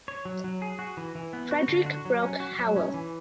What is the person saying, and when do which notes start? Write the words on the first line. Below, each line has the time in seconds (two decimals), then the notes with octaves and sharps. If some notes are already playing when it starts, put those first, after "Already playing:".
Frederick Broke Howell.
0.08 C#5
0.25 F#3
0.44 F#3
0.62 G#4
0.79 F#4
0.97 E3
1.15 E3
1.33 B3
1.51 F#4
1.68 D3
1.86 F#4
2.05 F#3
2.23 C#4
2.40 F#4
2.59 F#3
2.76 C#4
2.94 E3